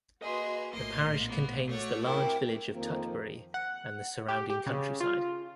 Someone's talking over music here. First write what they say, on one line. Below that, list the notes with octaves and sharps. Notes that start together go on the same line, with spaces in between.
The parish contains the large village of Tutbury and the surrounding countryside.
A#3 F#4 G#4 B4 D#5 C6
A#1 A2 A#3 D#5 C6
A#3 B3
A3 F#4 C#5 F#5 D6
C3 E4 A#4 E5 G5
F2 D#3 F3 A#3 C4 F4
F#5
G4
G4
C#3
F4